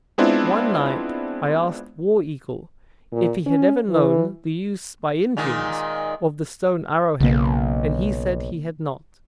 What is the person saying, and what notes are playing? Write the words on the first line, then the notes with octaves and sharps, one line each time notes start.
One night I asked War Eagle if he had ever known the use, by Indians, of the stone arrow-head, and he said he had not.
G#3 B3 C4 D4 E4 F4
A#2
C#4
E3
A#2 D#3 G#3
B1 C#3 A#3